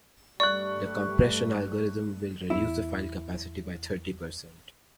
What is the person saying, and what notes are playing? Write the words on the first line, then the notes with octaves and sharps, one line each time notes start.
The compression algorithm will reduce the file capacity by thirty percent.
G2 G3 A3 D5 C#6 F#6
E2 E4